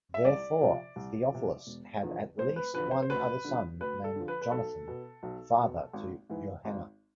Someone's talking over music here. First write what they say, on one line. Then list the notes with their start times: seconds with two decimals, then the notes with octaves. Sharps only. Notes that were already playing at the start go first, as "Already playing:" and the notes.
Therefore, Theophilus had at least one other son named Jonathan, father to Johanna.
0.14 E5
0.25 C2 D5
0.61 C3 F3
0.96 C2
1.31 C3 F3
1.67 E1
2.03 E2 D3 F3
2.38 E1 C5
2.56 B4
2.74 E2 D3 F3 B4
2.91 C5
3.02 C5
3.10 D2 B4
3.45 D3 F3
3.80 D2 B4
4.04 A4
4.16 D3 F3
4.28 B4
4.41 B4
4.51 B1 A4
4.88 B2
5.23 B1
5.58 B2
5.93 G#1
6.30 G#2 E3
6.65 G#1